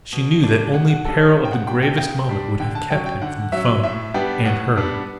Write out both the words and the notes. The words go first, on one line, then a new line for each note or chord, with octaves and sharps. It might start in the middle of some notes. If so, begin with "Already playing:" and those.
She knew that only peril of the gravest moment would have kept him from the 'phone--and her.
B2
G3 D4
B2 F#5
F#5
G3 D4 A4
C#5
C#3
G5
F#5
G3 D4 G5
G5
C#3 G5
G3 D4
D3 G5
A5
F#3 C#4 G5
G5
D3 F#5
F#3 C#4 E5
A2 E5
G3 B3 D4 G5
A2 F#5
G3 B3 D4